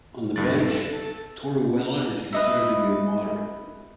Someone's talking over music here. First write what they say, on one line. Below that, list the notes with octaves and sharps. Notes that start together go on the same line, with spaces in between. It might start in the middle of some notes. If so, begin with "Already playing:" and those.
On the bench, Torruella is considered to be a moderate.
A#1 G2 D3 G3 A6
E7
A4
B4 D#5 E5